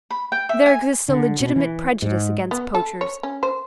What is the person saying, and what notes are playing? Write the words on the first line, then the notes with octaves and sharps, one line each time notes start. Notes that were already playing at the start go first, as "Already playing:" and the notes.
There exists a legitimate prejudice against poachers.
B5
G5
E5
G#5
D3
B2
E3
G#2
B3
A4
C#5
C#4
C5